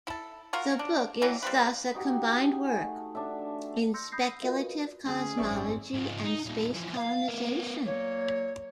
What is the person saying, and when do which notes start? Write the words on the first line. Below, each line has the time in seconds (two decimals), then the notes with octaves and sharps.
The book is thus a combined work in speculative cosmology and space colonization.
0.07 E4 A4
0.53 F4 F#4 A#4
0.79 D4
1.22 E3 F#3 G3
1.42 G3 A#3 C4 B4
1.94 D#4 F#4 G4
2.52 G#4
2.81 A3
3.15 D4 A4 E5
3.94 C6 E6 G6 A#6 C#7
4.12 B5 D#6 G6 A#6 C7
4.42 F4 F#4 A#4 B4 D#5 F5
5.06 D2 C#4 G#4
5.37 G#1 F#2 C4 D5 E5 C#6
5.94 G#2 F3
6.24 D#4
6.46 D#2 A#2
6.74 E3 F3
6.97 F5
7.28 B3 A#4
7.85 A#2 F#3 A#3 C#5